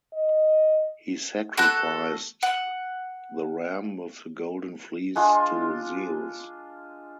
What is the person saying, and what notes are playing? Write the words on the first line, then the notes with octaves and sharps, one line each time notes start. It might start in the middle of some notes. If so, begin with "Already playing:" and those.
He sacrificed the ram with the golden fleece to Zeus.
D#5
F#4 A4 F#6
F#5
G#3 D4 F4 G#4